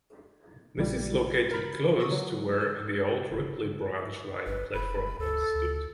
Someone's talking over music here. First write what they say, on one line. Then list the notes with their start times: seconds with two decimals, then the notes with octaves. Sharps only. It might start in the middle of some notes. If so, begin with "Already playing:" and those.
This is located close to where the old Ripley branch line platform once stood.
0.77 A#1 A#2 G3
1.51 A#4 B5
1.98 E3 C#6 D#6 E6 A#6
2.11 F#3
4.46 G#1 B4
4.74 F1 B5
5.19 D2 A4
5.55 D2